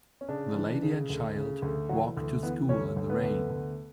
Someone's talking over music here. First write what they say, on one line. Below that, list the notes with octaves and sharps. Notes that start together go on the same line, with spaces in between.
The lady and child walk to school in the rain.
C#4
C#3 D4
E3
C#3
D2
C#3
D2
E3 F#3 F#4
D2
E3 B3 B4
D2 C#4 C#5
D2
B3 B4
D2
D2